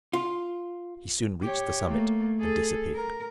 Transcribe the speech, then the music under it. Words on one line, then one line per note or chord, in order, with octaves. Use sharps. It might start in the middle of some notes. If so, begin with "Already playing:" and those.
He soon reached the summit, and disappeared.
F4
G4 C#5
A3 A#3
G#4 A4
A#4